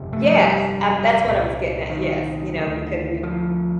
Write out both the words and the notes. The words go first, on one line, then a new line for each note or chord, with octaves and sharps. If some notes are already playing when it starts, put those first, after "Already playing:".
Yes. A that's what I was getting at yes, you know, because you
Already playing: G1 F2 C3
A3
F3
G3
C2 A#2
D#3
D2 D3
F3